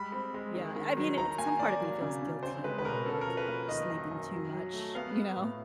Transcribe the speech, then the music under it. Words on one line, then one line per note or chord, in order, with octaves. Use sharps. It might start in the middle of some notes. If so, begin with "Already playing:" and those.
yeah, I mean, it some part of me feels guilty about, like, sleeping too much, you know?
Already playing: G3 G#3 B5
C4
G#3
D#3
D#3
F#3
D#3 A#5
A#3 G#5
A#3 D5
F#3
C#3
C#3
C4 C5
G#3 B4
B4
B2 A#4
C#4 A4
A#4
F3
B4
A#3
D#3 D#5
F#2
F#2
F#3
F#3
A3
B3 F5
B3
A2